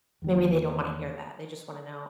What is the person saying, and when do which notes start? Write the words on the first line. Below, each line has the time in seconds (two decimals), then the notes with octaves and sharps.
maybe they don't wanna hear that, they just wanna know,
0.22 E2 D#3 A#3